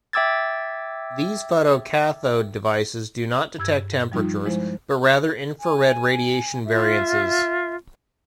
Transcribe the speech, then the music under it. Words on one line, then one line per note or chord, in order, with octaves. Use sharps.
These photocathode devices do not detect temperatures, but rather infrared radiation variances.
E5 G5 D6 E6 G#6 A6
G2 E6 G#6
F3 G3 D#4 F4
F3 G#3 E4 C5
G#5
F4 E5